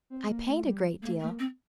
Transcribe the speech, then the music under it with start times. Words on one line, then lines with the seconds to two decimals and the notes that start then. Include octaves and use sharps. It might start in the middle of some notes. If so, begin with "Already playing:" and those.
'I paint a great deal.
0.10 C4
0.28 A#3
0.48 A3
0.65 G3
1.01 A3 A#3
1.20 A3 A#3
1.39 C4